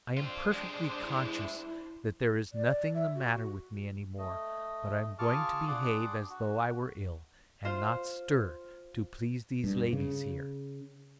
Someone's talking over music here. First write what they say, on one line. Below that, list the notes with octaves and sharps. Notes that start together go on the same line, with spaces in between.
I am perfectly conscious that there is nothing the matter with me any more; but I am going to behave as though I were ill, and not stir, to please these ladies here.
C4 D4 F4 C5
G#3 G4
E4
D5
E5
F#4
A3 D#5
F4 G#4 A5 C#6 D6 F6
D4 G#4 D5 F#5 C6 D6
F#4
F4 C5 F5
G2
C#3